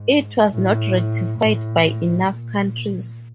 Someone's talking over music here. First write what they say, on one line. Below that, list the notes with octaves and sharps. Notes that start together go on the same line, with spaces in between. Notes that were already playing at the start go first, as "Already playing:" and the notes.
It was not ratified by enough countries.
Already playing: G#2
A2
A2
A#2